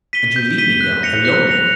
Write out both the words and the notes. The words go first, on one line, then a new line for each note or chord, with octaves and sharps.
"And you leave me here, alone!"
B6 D#7 G7
G6
B6 D#7 G7
F#6
A#6 C#7 F7
F#6
A#6 C#7 F7